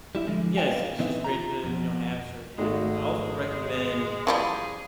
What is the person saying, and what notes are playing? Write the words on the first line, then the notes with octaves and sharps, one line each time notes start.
yeah, it's it's just great to, you know, have certain habits. I also recommend
G3 E4 E5
D3 F3 G#3
B4 D5 D#5 F5 G5 G#5
B2 E3 C4 D#4 B4 E5
F4 A#5
F2 B2
G#1 G#3 A3 F#4 A4
E3 F3 G3 G#4 B5